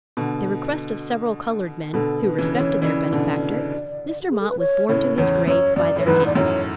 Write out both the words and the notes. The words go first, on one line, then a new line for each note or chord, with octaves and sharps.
At the request of several colored men, who respected their benefactor, Mr. Mott was borne to his grave by their hands.
B2 D3
B2 D3 A4
B4
C#3 E3
C#5
C#3 E3
C#3 E3 D5
B2 D3
F#4
G#4
A4
B4
C#5
A2 C#3 C#5
E2 C#5
F#2 C#5
F#2 D5
A2 C#5
E2 G#2 B4
D5
F#2 A2 C#5